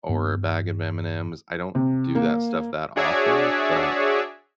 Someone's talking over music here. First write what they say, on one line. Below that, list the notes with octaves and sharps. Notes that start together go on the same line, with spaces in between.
or a bag of M&M's, I don't do that stuff that often, but,
G2 B3
C3
A#3
D4 F#4 G#4 C#5 D5 E5